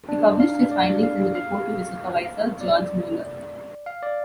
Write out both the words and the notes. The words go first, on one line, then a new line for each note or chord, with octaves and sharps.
He published his findings in a report to his supervisor, George Mueller.
D4
F5
D5
F5
F5
D5
F5
D5